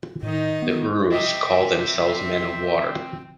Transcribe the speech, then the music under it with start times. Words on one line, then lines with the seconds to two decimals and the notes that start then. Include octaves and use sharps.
The Urus called themselves "men of water".
0.23 A2 D#3 D#4
0.62 B3
1.11 C4 G4 D#5 E5 G5 D#6